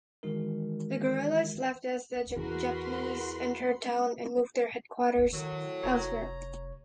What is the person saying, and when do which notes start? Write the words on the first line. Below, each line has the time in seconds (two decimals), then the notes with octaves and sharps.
The guerrillas left as the Japanese entered town and moved their headquarters elsewhere.
0.23 D#3 E3 G#3 D#4 F#4 A#4
2.36 E2 F#4 A#4 B4 F#5 B5 C6
5.33 A2 D#3 F#3
5.83 F1 C#5 A#5